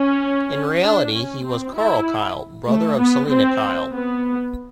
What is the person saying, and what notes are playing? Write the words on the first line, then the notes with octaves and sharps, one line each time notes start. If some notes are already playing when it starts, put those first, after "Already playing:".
In reality, he was Karl Kyle, brother of Selina Kyle.
Already playing: C#4
D4
C#4
C4
E4
A3
B3
C4
B3